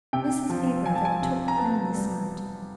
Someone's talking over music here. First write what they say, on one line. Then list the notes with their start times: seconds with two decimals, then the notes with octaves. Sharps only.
Mrs. Fairbrother took in this note.
0.13 C3 G5
0.49 F3
0.86 F3 G#5
0.95 A5
1.05 G#5
1.22 C3
1.48 A#5
1.58 B3 A5
1.94 G3